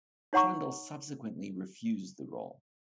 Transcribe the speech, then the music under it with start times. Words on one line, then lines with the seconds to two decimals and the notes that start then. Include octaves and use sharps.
Trundle subsequently refused the role.
0.33 D#4 C#5 F#5 A#5 C#6